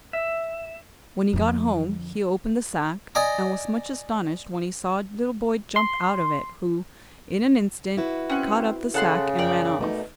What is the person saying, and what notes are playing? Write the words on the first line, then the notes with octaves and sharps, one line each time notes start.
When he got home he opened the sack, and was much astonished when he saw a little boy jump out of it, who, in an instant, caught up the sack and ran off.
E5
F2 D3
D5 D#5 G#5 A#5 D6
C6
E4 F#4 B4
C4 C#4 F#5
C#3 A4 F#5 C6
F#2 A#4 D5 G5
B2 A3 D#4